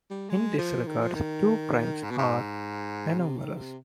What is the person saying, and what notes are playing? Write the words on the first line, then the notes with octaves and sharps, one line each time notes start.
In this regard, two primes are anomalous.
G3
G#3
F3
D#3
F3
D#3
G#2
B2
G#2
C3
D#3
C3